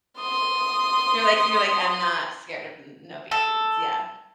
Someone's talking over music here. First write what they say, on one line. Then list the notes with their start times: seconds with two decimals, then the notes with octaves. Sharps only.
You're like you're like, "I'm not scared of n no beach reads," yeah.
0.18 C6 D#6
3.31 A4